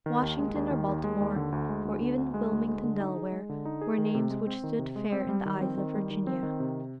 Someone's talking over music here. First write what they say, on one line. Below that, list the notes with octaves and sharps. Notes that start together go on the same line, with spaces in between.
Washington or Baltimore, or even Wilmington, Del., were names which stood fair in the eyes of Virginia.
D#3
D#2
G#3
D#2
D#3
D#2
G#3
D#2
D3
D2
G#3
D2
D3
D2
G#3
D2
G#3
D3
D#4
G#4
G#3
D3
D#4
G#4
D#3
C3
G#3
C4
D#3
C3
G#3
C4
G3
D#3
C4
D#3
G3
D#3
C4
D#3
C3